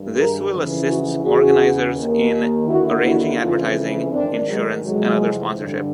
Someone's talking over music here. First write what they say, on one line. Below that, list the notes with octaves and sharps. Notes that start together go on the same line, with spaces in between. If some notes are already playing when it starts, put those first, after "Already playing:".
This will assists organisers in arranging advertising, insurance and other sponsorship.
Already playing: G2 D#3
G#4 A#4
F2 C#3 E3
E4 F#4
E2 C#3 E3 F#4 G#4
D#2 D#3
D#2 D3 E4 F#4
E4 F#4
F2 C#3 E3 D#4 F4
G#2 D#3 C4 D4
F#3 G#3
F2 C3 E3 F#3 G#3
G2 D3